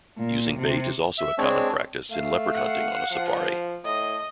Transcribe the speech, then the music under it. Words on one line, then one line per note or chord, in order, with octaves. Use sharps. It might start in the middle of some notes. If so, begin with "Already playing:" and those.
Using bait is also a common practice in leopard hunting on a safari.
A#2
C3
E5
G#3 C4 D4 C#5
A3 F5
F#5
F3
A2 D#5